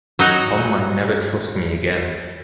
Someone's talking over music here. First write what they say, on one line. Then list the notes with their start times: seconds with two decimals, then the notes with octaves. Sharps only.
Tom might never trust me again.
0.19 F#3 D#4 F#5